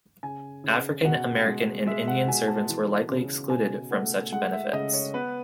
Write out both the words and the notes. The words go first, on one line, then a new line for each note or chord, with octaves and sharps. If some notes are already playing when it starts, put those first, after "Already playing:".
African-American and Indian servants were likely excluded from such benefits.
C#3 G#5
C#3
B2 F#5
G#3
G#3 E5
F#5
B2 G#5
A5
E3
C#3
B2 G#5
A3 F#5
G#3 F#5
E5
C#3 D#5
C#5
B3 B4